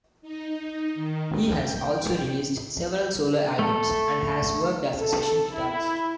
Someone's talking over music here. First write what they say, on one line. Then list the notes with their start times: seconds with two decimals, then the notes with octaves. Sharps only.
He has also released several solo albums and has worked as a session guitarist.
0.22 D#4
0.95 D#3
1.30 G5
3.59 A3 A4
4.99 A4
5.53 E4